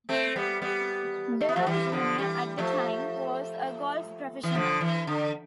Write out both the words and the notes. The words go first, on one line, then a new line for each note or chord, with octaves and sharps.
Deron Junior at the time, was a golf professional.
A3 C4
G3 B3
G3 B3
A3
B3
F3 A3
E3 G3
D3 F3
E3 G3
F3 A3
E3
D3 F3
E3
D3